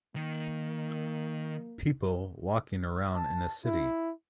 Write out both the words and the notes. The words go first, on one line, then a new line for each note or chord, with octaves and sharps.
People walking around in a city.
D#3 A#3
A5
E4